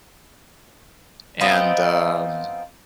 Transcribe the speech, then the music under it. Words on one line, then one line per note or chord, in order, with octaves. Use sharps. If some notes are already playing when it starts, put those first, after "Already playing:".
and, um
F3 B3 C4 D#4